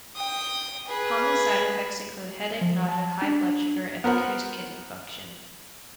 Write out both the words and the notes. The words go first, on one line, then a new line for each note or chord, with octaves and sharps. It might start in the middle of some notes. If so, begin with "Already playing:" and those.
Common side effects include headache, nausea, high blood sugar, and decreased kidney function.
G5 D#6
G#4 B4
F3
A5
D4
B3 A#4 C5 F#5